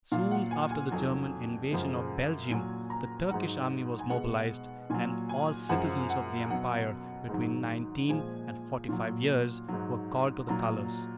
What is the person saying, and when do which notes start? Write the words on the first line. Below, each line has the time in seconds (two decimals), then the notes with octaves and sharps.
Soon after the German invasion of Belgium the Turkish army was mobilized and all citizens of the Empire between nineteen and forty-five years were called to the colors.
0.12 A#2 F#3 F5
0.31 F#5
0.51 G#5
0.71 G#5
0.91 F2 D#3 F#3 G#5
1.71 F#2 C#3 F3 G#3
2.51 A#2 F#3 G#5
2.90 A#5
3.31 G#2 F#3 F#5
3.99 G#5
4.10 B2 G#3 F#5
4.90 A#2 F#3 G#5
5.29 G#5
5.69 F#2 F3 G#3 F#5
6.10 F#5
6.50 B2 F#3 F#5
7.29 G#2 D#3 F#3
8.09 A#2 F3 G#3 G#5
8.89 A#2 F#3
9.68 G#2 F#3
10.48 A#2 F#3 A#5